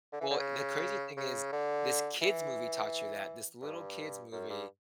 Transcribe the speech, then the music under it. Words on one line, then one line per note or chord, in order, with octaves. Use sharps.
Well, the crazy thing is this kid's movie taught you that. This little kid's movie
D3
E3
D3
C#3
C#3
D3
E3
G2
F#2
G2